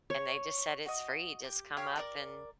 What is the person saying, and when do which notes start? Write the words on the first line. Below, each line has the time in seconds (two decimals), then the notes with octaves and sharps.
and they just said "It's free, just come up and"
0.10 C#5
0.86 F#4 D#5
1.44 G4
1.77 G4 C#5 F5
1.96 A4 A#4 D5